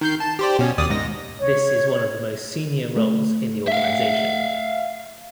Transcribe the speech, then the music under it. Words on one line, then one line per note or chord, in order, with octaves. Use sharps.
This is one of the most senior roles in the organisation.
D#3 G6 C7
A5
G4 C5 D5
B2 C#4
D#2 D5 D#6
G#2 A#6
C#5
A3
E5 F5